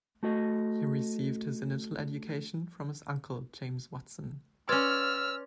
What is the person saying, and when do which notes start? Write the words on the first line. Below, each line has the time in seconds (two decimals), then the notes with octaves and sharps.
He received his initial education from his uncle, James Watson.
0.23 A3 F#4 D#5
4.69 C#4 B4 D5 C6 E6 F6 G#6